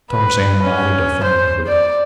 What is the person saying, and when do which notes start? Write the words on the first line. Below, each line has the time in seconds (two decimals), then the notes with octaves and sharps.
Tarzan nodded affirmatively.
0.11 B4
0.63 C#4
1.23 C5
1.67 D5